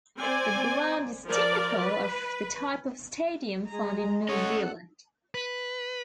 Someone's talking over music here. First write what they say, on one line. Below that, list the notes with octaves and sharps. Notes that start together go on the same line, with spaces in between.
The ground is typical of the type of stadium found in New Zealand.
C4 C5 D5 G#5
F3 A#4 D5
B4
G#3 G#4 A#5
C#4 A4 C#5 D#5 F#5
B4